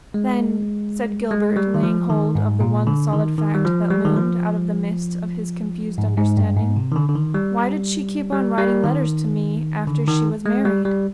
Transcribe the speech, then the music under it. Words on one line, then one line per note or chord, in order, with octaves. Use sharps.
"Then," said Gilbert, laying hold of the one solid fact that loomed out of the mist of his confused understanding, "why did she keep on writing letters to me after she was married?"
G#3
G#3
G3
D#3
F3
D#3
G#2
A#2
D3
D#3
D#3
G3
F3
G3
D#3
F3
G#2
G#2
G2
G#2
C3
D#3
D3
D3
D#3
G3
G3
G3
D#3
D3
D#3
G#3
G3
G3